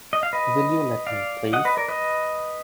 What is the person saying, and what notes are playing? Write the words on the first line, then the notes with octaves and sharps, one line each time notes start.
Will you let me, please?
D#5
F5
B4 D#5
D5 F5
D#5 F#5
B4 D#5
A#4 D5
B4 D#5